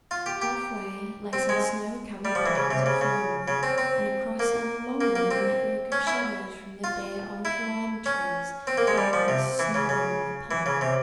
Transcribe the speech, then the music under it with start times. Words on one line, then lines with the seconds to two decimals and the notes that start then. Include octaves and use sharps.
Halfway lay some snow-covered piles of firewood and across and along them a network of shadows from the bare old lime trees fell on the snow and on the path.
0.11 F4
0.26 G4
0.42 G4
1.33 C4
1.49 G#3
2.25 G3
2.35 F3
2.46 E3
2.55 C#3
2.71 C3
2.86 C#3
3.01 C#3
3.48 C#3
3.63 C4
3.78 C4
4.39 A#3
5.01 A#3
5.16 A#3
5.31 C4
5.92 C#4
6.07 E4
6.84 F4
7.45 E4
8.06 C#4
8.67 C4
8.78 A#3
8.87 G#3
8.98 G3
9.13 F3
9.28 C3
9.59 E3
9.74 C#3
9.89 C#3
10.51 E3
10.66 C#3
10.81 C3